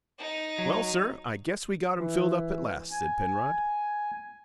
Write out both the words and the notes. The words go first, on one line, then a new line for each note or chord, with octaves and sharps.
"Well, sir, I guess we got him filled up at last!" said Penrod.
D#4
F#3
E3
G#5